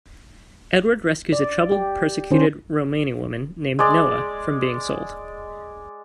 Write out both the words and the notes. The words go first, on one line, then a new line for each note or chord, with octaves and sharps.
Edward rescues a troubled, persecuted Romani woman named Noah from being sold.
D5
G4
D#3 C#4 C5
G#3 D5